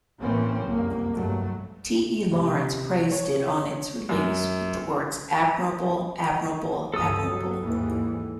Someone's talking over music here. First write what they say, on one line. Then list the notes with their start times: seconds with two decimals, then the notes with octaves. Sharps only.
T. E. Lawrence praised it on its release with the words Admirable, admirable, admirable.
0.20 A1 E3 A3 A#3 C4 C#4
0.62 F#1 C2 F2 A#3
1.13 G2 F#3 A3
2.31 C3
3.11 C#5
4.09 F#2
6.94 G1 C#2 A4 D#6
7.28 F#3
7.60 D#2 G#2 E3